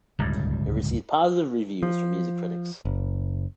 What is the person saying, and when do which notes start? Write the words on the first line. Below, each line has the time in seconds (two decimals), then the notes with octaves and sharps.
It received positive reviews from music critics.
0.19 D1 C#2 G2 G3
1.83 F3
2.85 F#1